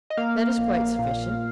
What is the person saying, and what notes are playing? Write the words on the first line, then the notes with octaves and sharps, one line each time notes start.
'That is quite sufficient.
D#5
A#3 F5
A#1
A#2